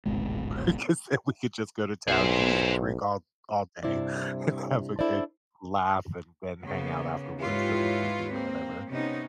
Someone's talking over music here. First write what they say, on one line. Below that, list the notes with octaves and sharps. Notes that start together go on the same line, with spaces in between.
Because then we could just go to town, eat and drink all all day, and have a good laugh and then hang out afterwards, go to a movie or whatever.
D1 G#1 B2 G#3
B1 G#4 C5
G2 C3 E4 C5 D5
D4 E4 A4 C5 D5
C#3 A#3 B3
G#2 E4 F4 G4 B4 C#5
A#3 C4
C3 B3 C#4 D#4